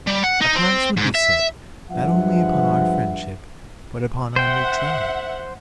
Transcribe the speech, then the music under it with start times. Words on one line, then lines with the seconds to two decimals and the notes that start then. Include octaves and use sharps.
A price would be set not only upon our friendship, but upon our neutrality.
0.07 G3
0.24 F#5
0.41 D#4
0.56 C4
0.97 G#2
1.15 E5
1.91 G2 F3 G#3 B4 E5 F#5
4.36 C5 E5 F#5 G5